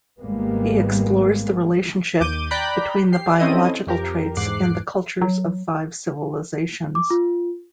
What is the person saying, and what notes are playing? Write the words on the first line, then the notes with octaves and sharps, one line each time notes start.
He explores the relationship between the biological traits and the cultures of five civilizations.
G#1 G#2 G3 G#3 A#3 B3
D#2 D6 G6 D#7
D5 G5 A#5 B5 F#6 G6
G4 C7
C4 C#4 E4 A4 D#5 D#7
F2 G4 A#4
E2 G#2 D6 F#6 C7
F#3
D6
F4